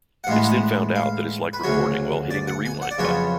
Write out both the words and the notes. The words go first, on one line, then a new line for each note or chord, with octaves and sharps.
It's then found out that it's like recording while hitting the rewind button.
F#5
A1 A2 G#3 B3 F5
F#5
F5
B4
D2 C#3 F#3 C#5
D5
F#5
G#5
F#5
D5
F2 C#3 F#3 B3 C#5